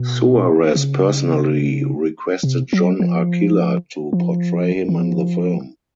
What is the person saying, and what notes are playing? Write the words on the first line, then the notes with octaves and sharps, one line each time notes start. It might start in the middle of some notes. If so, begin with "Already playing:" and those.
Suarez personally requested John Arcilla to portray him in the film.
Already playing: B2
C#3
C3
F#3
F3
F3
E3
F3